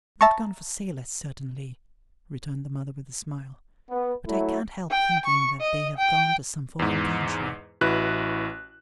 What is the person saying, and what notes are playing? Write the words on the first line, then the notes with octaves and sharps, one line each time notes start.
'Not gone for sailors, certainly,' returned the mother with a smile. 'But I can't help thinking that they have gone to some foreign country.'
E5 A5 A#5 C#6
B3
F#3 A3 E4
G5
C#6
D#5
G5
E2 G#2
A1 E4 F#4 B4 F#6